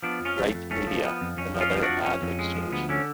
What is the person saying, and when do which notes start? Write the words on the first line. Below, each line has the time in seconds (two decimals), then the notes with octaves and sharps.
Right Media, another ad exchange.
0.03 F3 B3 D4
0.20 F2
0.25 C#4 F4
0.37 A3
0.54 F2
0.71 A3 C#4
0.87 F3
1.04 F3 B3
1.21 F2
1.37 F2 C#4
1.55 F3
1.60 C#4 F4
1.71 F3
1.82 D4 F#4
1.88 F2
2.05 F2 C#4
2.22 F2
2.39 G#3
2.55 F3
2.72 D2 B3
2.89 D3 C#4